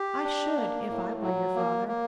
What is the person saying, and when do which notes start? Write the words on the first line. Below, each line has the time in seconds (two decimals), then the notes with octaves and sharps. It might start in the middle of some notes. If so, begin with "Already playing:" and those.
"I should, if I were your father."
Already playing: G4
0.24 D4
0.57 A#3
0.90 A2
1.22 F#3
1.56 A#3
1.88 A#3